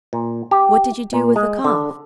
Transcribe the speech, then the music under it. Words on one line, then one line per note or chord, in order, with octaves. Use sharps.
'What did you do with the calf?'
A#2
G4
A#2
G#3
D3